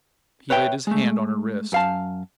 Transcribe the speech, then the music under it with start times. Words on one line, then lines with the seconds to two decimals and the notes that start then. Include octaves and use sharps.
He laid his hand on her wrist.
0.50 B4 C#5 E5 G5
0.87 G#3 A3
1.72 F#2 F5 A5